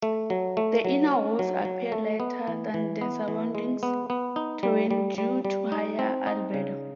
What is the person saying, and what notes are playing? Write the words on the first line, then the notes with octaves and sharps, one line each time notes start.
The inner walls appear lighter than the surrounding terrain due to higher albedo.
A3
F#3
A3
F#3
C#4
F#3
F#3
A3
B3
E3
E3
B3
E3
G#3
B3
B3
D#4
G3
G3
G3
G3
D#4
C4
D#4
C#3